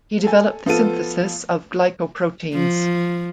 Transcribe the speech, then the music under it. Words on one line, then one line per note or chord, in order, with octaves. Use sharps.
He developed the synthesis of glycoproteins.
A4 G#5
F3 B3 F4 A4 D#7
F3